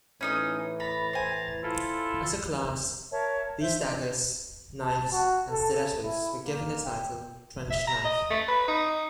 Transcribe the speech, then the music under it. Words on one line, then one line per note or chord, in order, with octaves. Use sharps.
As a class, these daggers, knives, and stilettos were given the title trench knife.
A2 E3 C#4 D#4 D#6
A#5 B5 A6
C5 G#5
E4 F4 A4
A#4 C#5 E5 A5
C5 E5 G6
D4 D#5
A5
F#4
A4
E4
A#3
G5
E5
A#5
D#5
A3
B4
D#4